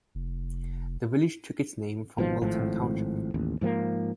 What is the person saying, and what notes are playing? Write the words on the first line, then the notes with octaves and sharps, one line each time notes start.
The village took its name from Milton Township.
F1
G#1 B2 F3
G#1 A2 F3
A1 D#2
G#2 F3 A3 A#3